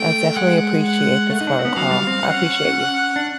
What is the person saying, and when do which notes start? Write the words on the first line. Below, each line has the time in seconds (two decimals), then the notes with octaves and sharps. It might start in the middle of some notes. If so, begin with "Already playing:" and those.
I definitely appreciate this phone call, I appreciate you.
Already playing: A3 G5
0.36 G#3 F#5
0.83 F#5
1.29 A3 F#5
1.41 D#4
1.47 D4
1.53 C#4
1.59 C4
1.65 B3
1.76 F#3 F5
1.91 G3
2.07 C4
2.23 C#4 F#5
3.16 D4